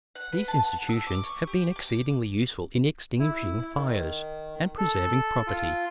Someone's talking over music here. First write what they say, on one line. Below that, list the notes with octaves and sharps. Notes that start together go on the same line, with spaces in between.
These institutions have been exceedingly useful in extinguishing fires and preserving property.
F#5
B4
A5
F#5
E6
D6
C#6
G4
D6
E4
D#3
A4
F4